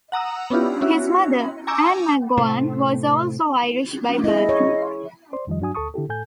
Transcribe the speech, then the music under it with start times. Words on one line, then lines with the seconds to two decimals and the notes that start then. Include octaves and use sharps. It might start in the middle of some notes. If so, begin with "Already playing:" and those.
His mother, Ann MacGowan, was also Irish by birth.
0.12 F#5 A#5 D#6 E6
0.50 B3 C#4 D4 E4 F4 G4
0.81 C#4 E4 F#4
1.67 G#5 A#5 C#6 D6 E6 G6
2.38 A2 C3 A3 C5
4.24 E4 G#4 D#5
4.49 C#5
5.33 C5 D5 C6
5.47 F2 D#3 F3 G3 D#5
5.60 G2 F#3 D4 F#4 G#5 D#6
5.75 D2 A4 A5 C#6 D#6
5.94 D3 E4 G4 A4
6.09 A2 A4 G#5 G6